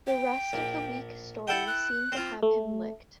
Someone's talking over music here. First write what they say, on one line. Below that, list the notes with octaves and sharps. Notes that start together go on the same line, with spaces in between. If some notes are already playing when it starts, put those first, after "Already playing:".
The rest of the weak story seemed to have him licked.
G5
A#1
E4 A4 F#5 G5
F#6
C4 F4
A3